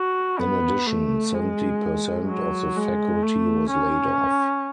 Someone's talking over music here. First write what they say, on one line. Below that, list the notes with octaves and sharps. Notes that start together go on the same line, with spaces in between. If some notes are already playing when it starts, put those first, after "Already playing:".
In addition, seventy percent of the faculty was laid off.
Already playing: F#4
B3
A3
G#3
F#3
G#3
A3
C#4